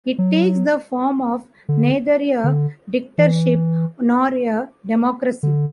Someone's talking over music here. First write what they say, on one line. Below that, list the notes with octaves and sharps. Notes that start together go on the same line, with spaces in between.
It takes the form of neither a dictatorship nor a democracy.
F#3
D3
D3
E3
D3